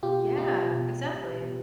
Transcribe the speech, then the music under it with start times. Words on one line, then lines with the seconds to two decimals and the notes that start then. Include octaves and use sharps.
Yeah, exactly.
0.03 B2 F4 G4
0.37 B2 F4 G4
0.72 B2
1.07 B2
1.42 B2